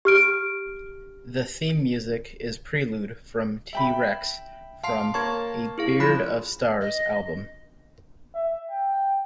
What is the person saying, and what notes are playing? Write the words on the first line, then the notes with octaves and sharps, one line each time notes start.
The theme music is "Prelude" by T. Rex from "A Beard of Stars" album.
G4 F6 D7
E5 G5 B5
F5 A5 C6 C7
A#3 C#5 A5 C#6 G#6
E4 G#4 F5
F3 B5 F#6
D#5
E5
G5